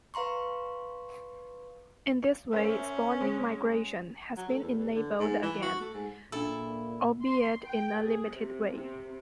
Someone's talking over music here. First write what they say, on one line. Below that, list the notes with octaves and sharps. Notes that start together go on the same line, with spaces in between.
In this way spawning migration has been enabled again, albeit in a limited way.
B4 F5 A#5 C6 C#6
C#4 A#4 C5 E5
G#3
F#3
A3
E2
E2
D3
G#2
E3
F#4
A3
G#2
A#2 D4 E4 A4 E6
C6
G5
G#4
C3
C3